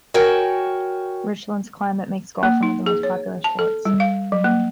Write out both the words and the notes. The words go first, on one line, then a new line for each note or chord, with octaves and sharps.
Richland's climate makes golf one of the most popular sports.
F#4 A#4 C#5 G5 G#5
A#3
D#4
G#4
C#5
A5
A4
G3
F5
F#3
A#3